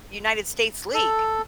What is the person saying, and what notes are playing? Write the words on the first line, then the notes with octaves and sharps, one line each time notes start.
United States league,
A4